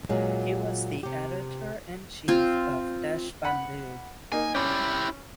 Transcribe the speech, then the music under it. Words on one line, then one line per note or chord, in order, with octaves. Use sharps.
He was the Editor in Chief of "Deshbandhu".
A#2 F#3 G#3
C3 G4
C4 F4
F#5 B5
A#3 D#4 G#5
C#4 E4 G4